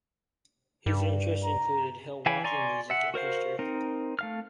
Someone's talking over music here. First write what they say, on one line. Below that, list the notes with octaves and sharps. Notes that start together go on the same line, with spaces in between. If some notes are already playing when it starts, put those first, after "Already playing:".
His interests include hill walking, music and history.
G2
A#5
E3 F5 G5 G#5 B5
D5 G#5 A#5 C6 C#6
E5 F#5
F#4 A#4 C5 F5
C4 D#4 A#4
A3 F5 F6